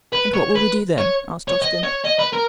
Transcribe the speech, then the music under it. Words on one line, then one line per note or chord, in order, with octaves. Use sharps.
"And what will we do then?" asked Austin.
B4
C#5
B4
C#5
C#5
D#5
C#5
D#5
B4
A#4